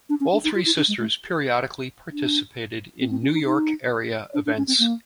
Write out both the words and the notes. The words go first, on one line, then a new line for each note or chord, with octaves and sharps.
All three sisters periodically participated in New York-area events.
D4
C#4
D4
D#4
F4
E4
D4
G#3
A3
D4
C4
C4
C#4
D#4
D#4
D4
D4
C#4
C4
A#3